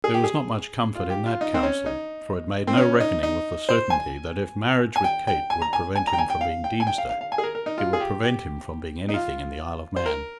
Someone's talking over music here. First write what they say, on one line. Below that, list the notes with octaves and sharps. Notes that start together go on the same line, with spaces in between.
There was not much comfort in that counsel, for it made no reckoning with the certainty that, if marriage with Kate would prevent him from being Deemster, it would prevent him from being anything in the Isle of Man.
G#4
G4
G#4
F4
G4
F4
D#4
C4
C#4
D#4
C4
C#4
D#4
D#4
C5
G#5
G#5
G5
G5
G#5
A#5
G#5
G#5
A#5
G5
G#5
G5
F5
G5
G#5
G5
F5
F5
F5
G#5
G#4
A#4
A#4
D#4
F4
G#4
G4
G4
D#4
F4
C5
A#4